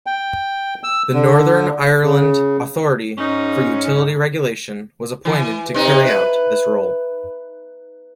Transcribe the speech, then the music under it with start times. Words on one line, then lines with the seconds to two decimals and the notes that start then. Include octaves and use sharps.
The Northern Ireland Authority for Utility Regulation was appointed to carry out this role.
0.06 G5
0.84 E6
1.13 D3
2.03 C#3
3.18 G#2 C#4 D#4
5.25 E3
5.74 C3 D#4
6.05 B4